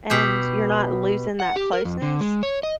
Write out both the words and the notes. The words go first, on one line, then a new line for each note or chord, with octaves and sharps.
and you're not losing that closeness
B2 G4
F#5
G4
A#4
F2
D3
G#3
C#5
D#5